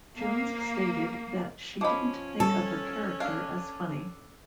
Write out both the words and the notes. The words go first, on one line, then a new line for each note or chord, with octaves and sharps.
Jones stated that she didn't think of her character as funny.
A#3
F3 C#4 D#5 B5 D6
G3 A4 A5
D4 F5